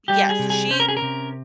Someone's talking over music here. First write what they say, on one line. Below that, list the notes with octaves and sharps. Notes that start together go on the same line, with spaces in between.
Yeah, so, she
G3 G4
G#4
C3
G#4
C#4 C5
A#4
G#4
A#4
C3